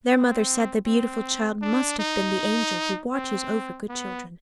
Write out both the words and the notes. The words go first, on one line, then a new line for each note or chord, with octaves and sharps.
Their mother said the beautiful child must have been the angel who watches over good children.
C4
C4
D4
D#4
C4
B3